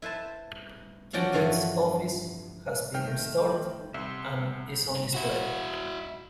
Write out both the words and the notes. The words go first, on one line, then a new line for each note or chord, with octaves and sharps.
Kinkaid's office has been restored and is on display.
E4 B4 C5 A5
F3 C#4 D4 F#4 D5 G5
G2 D3 E3 F3 F#4 B4
D#3 A3 G5 F6
C2 E5 C6
E4 F#4